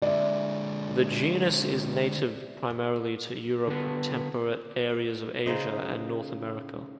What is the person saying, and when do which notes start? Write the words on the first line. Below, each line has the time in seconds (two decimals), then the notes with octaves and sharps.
The genus is native primarily to Europe, temperate areas of Asia, and North America.
0.02 D3 G#3 D5 E5
3.67 D3 B3
5.46 C#3 D#4 C5 D#5